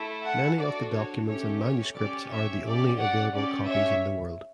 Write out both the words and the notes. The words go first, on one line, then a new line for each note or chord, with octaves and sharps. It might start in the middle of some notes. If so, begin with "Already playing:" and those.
Many of the documents and manuscripts are the only available copies in the world.
Already playing: A3 E4 A4
F#5 A5
D4 F#4 A4 D5
C#5
A3 C#4 G4 C#5
C#5
C#4 G4 D5
C#5 E5
C#4 G4 D5
D5 F#5
C#4 G4 D5
C#5 E5